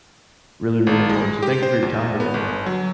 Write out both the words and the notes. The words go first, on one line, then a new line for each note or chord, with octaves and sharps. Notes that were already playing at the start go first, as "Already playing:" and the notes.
really, really important. So thank you for your time today.
G#1
G#3
G4
C5
E2
B3
G1
F#3